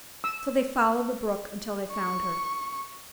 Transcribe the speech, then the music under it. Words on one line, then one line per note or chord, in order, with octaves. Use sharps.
So they followed the brook until they found her.
E6
C#6